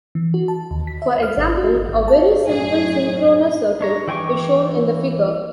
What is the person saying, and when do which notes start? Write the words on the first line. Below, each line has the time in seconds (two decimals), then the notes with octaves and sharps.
For example, a very simple synchronous circuit is shown in the figure.
0.15 E3
0.34 F#4
0.48 A5
0.71 D#2
0.87 B6
1.02 E5
1.23 F6
1.38 G#1
1.57 F#4
1.76 G1
1.89 G#1
2.08 A5
2.45 F#2 A2 F#3 G#4
3.81 D4 C#5 A#5
4.08 E3 G5 G#5 C#6 D6